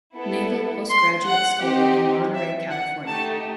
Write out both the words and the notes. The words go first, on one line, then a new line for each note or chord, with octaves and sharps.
Naval Postgraduate School in Monterey, California.
B3 E4 A4
C6
F#5
C4 D#4 G4
E5
F#5
A3 D#4 G4 A5